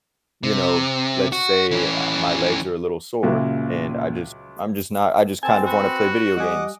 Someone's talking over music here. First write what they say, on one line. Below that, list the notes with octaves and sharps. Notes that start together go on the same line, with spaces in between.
you know, let's say I my legs are a little sore, and I just I'm just not I just kind of wanna play video games.
C3
F#4
E3 C#4
C#2 A#2 C#3 F#3 E4
C4 A4 G#5 A5
F#4 B4
G3 D#5 F#5 G#5 D6 D#6